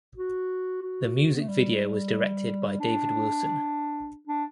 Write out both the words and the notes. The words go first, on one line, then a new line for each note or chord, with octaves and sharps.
The music video was directed by David Wilson.
F#4
F#4
B3
A3
G3
D4
D4